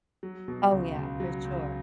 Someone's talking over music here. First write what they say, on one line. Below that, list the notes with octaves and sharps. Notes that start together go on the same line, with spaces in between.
Oh yeah, for sure.
F#3
B2
C#2
C#2
F#3
C#2